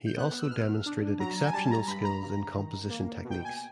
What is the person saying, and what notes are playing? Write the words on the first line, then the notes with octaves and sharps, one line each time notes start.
He also demonstrated exceptional skills in composition techniques.
G6
B3 F#6
E6
B2 F6
D4
F#3 A#5
G#5
G3 A5
A#5
G2 B5
A#5
G2
D#3
A#3
B2
G5
G#5